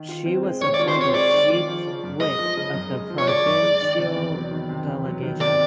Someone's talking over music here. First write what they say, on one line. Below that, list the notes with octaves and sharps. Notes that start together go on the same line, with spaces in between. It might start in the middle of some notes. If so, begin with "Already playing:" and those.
She was appointed chief whip of the provincial delegation.
Already playing: D#3
F4
C4
G#3
D#3 C#5
D5
F4
C5
C4 C#5
G#3 D5
D#3
F4
F3
C#3
F#2
G#3 D#5
F3
C#3
F#2
G#3
F3
C#5
C#3 D5
F#2
G#3
D#3
C3
E2
F#3
D#3
C3
E2
F#3
D#3
C3 D5